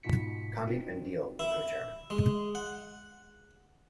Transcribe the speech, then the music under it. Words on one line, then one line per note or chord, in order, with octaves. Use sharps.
Condit and Deal were co-chairmen.
G#2 B2 D#4 F4 B6 C#7
C4 D4 D#4 F4 F#4
E4
G#3
F#5